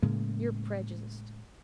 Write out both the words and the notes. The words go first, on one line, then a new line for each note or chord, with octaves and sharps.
"You're prejudiced."
A2 C#3 G#3 A#3